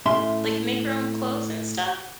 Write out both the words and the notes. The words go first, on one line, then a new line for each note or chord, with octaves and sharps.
like, make our own clothes and stuff.
A2 C#4 E5 C6